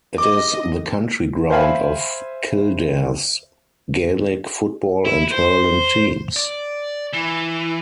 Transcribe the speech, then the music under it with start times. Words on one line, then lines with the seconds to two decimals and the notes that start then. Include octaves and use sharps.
It is the county ground of Kildare's gaelic football and hurling teams.
0.18 D#5 D6
1.50 C5 E5 F5 G#5 B5
5.05 E4
5.31 C5
6.36 D5
7.13 E3